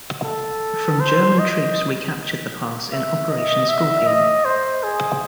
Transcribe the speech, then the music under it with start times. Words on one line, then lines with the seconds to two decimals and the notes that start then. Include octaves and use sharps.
From German troops recaptured the pass in Operation Skorpion.
0.24 A4
1.00 C5
1.39 D#5
2.92 E5
3.29 D#5
3.69 E5
4.07 D#5
4.45 C5
4.83 G#4